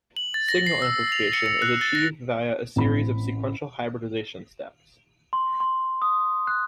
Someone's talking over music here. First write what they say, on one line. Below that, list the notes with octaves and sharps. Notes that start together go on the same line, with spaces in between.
Signal amplification is achieved via series of sequential hybridization steps.
F#7
A6
A#6
C7
E6
F7
C#7
C#7
F#6
A6
A#6
A1 C4 B5
C6
C6
D#6
F#6